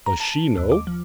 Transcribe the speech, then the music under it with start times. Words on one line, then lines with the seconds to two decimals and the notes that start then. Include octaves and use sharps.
"Does she know?"
0.06 A#5
0.20 A5
0.57 D#2
0.72 D6
0.87 F3